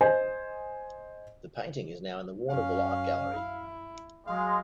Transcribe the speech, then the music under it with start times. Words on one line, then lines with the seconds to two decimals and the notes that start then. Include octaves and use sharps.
The painting is now in the Warnambool art gallery.
0.01 C5 D#5 G#5
2.50 F#2 C#4 F5
3.34 E4
4.27 F#3 G#3 F5